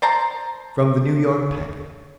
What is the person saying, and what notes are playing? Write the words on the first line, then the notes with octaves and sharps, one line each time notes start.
From the New York Packet.
C5 A5 A#5 C6